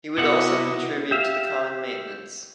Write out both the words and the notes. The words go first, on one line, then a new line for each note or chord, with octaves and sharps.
He would also contribute to the common maintenance.
C3 B3 E4 F#4 A4 D#5 F#5
G4 E5 F5